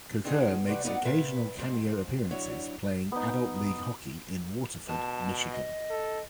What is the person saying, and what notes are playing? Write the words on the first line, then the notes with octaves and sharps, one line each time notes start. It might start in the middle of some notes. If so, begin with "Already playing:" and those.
Kocur makes occasional cameo appearances playing adult league hockey in Waterford, Michigan.
B3 C4 D4 D#4 G#4
C3 G3 F#4 B4 D5
B3 D#4 F4 B4 D5 F#5
A#2 B4 E5
F2 G#2 C4
F#3 D4 E4 C#5
B3 D#4
B2 A5
D#5
A4